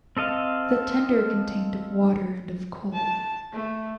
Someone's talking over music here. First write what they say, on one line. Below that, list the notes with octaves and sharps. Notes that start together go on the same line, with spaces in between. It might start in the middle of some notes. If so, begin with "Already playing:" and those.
The tender contained of water and of coal.
C4 A4 D#5 F5
A5
A3